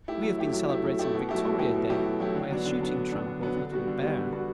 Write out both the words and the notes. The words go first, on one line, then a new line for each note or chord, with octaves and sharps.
We have been celebrating Victoria Day by a shooting tramp over Little Bear.
A3 E4 G4
F#3
A3 E4 G4
F#3
A3 E4 G4
F#3
A3 E4 G4
B2
F#3 A3 E4 G4
B2
F#3 A3 E4 G4
B2
F#3 A3 E4 G4
B2
F#3 A3 E4 G4
D3
F#3 B3 D4
D3
F#3 B3 D4
D3
F#3 B3 D4
D3
F#3 B3 D4
D3
G3 B3 F#4
D3
G3 B3 F#4
D3
G3 B3 F#4